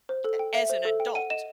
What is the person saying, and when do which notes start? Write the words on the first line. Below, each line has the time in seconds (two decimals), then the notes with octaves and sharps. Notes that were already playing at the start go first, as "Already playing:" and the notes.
a as an adult.
0.09 C5
0.24 A4
0.39 G5
0.55 E5
0.70 C5
0.85 A4
1.00 G5
1.15 F#5 D#7
1.30 D#5 E7